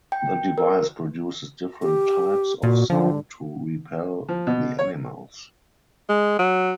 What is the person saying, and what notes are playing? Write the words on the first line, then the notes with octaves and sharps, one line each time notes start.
The device produces different types of sound to repel the animals.
G5
A#4
G4
A#2 F#4
D3 F3
F3
B2
C#5
G#3
F#3